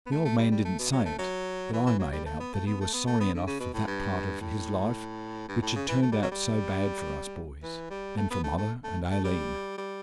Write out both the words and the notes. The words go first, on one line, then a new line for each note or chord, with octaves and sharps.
The old man didn't say it, but I made out that he was sorry enough for that part of his life which had turned out so bad for us boys, and for mother and Aileen.
B3
A3
A3
G3
G3
A3
B2
F#3
A3
F#3
E3
E3
F#3
G3
A3
B3
A3
B3
A3
B3
A3
B3
D3
C#3
B2
A2
G2
A2
G2
A2
C#3
E3
A3
G3
F#3
G3
E3
G3
A3
B3
A3
A3
A3
A3
G3
G3